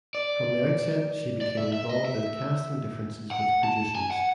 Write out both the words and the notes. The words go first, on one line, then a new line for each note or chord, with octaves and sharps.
From the outset she became involved in "casting differences" with producers.
D5
D5
E5
E5
D#5
E5
F#5
A5
G#5
F#5